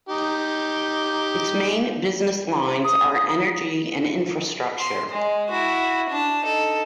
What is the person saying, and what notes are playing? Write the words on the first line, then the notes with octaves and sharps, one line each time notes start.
Its main business lines are Energy and Infrastructure.
D#4 G4
D#6
C6
G#3
E4 F#4
D4 A5
D#4 A4